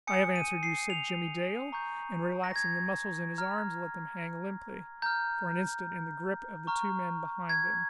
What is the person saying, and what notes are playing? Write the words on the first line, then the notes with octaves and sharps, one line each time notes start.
"I have answered you," said Jimmie Dale--and, relaxing the muscles in his arms, let them hang limply for an instant in the grip of the two men behind him.
G#5 D#6 G6 C#7
D#7
C7
F7
A#5 C#6 G6
A#6
G#6
A#5 F6
A#5 F6 G6
A#5 C#6 F6
G#6